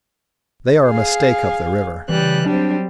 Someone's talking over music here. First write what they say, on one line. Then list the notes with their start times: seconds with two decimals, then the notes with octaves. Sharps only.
They are a mistake up the river.
0.86 G#4 F5
2.09 C#3 E3 G3 F#6
2.46 F#3 G3 C4 D4